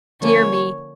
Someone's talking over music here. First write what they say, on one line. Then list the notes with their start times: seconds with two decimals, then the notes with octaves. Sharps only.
Dear me!
0.21 D3 F3 A#3 C#4 C#5